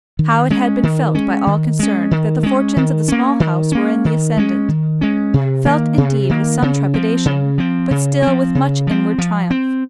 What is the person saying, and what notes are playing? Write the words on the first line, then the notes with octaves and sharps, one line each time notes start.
How it had been felt by all concerned that the fortunes of the Small House were in the ascendant,--felt, indeed, with some trepidation, but still with much inward triumph.
D#3
G#3 C#4
D#3
G#3 C#4
D#3
G#3 C#4
D#3
G#3 C#4
D#3
A#3 C#4
D#3
A#3 C#4
D#3
G#3 C#4
D#3
G#3 C#4
C3
D#3 A#3
C3
D#3 A#3
C#3
F3 C4
C#3
F3 C4
C#3
F3 C4
C#3
F3 C4
F3
C4